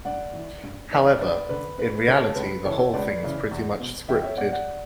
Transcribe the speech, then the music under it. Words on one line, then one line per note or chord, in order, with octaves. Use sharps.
However, in reality the whole thing is pretty much scripted.
G2 D5 F#5
E3
G2
E3 B4 D5
D2 B4 D5
D3 B4
D2 B4
D3 A4 C#5
A4
C#2 B4
C#3 E3 A4 C#5
C#2 B4 D5
C#3 E3
E2
B2
E2 E5 G5
C#5 E5
B2 D5 F#5
D5 F#5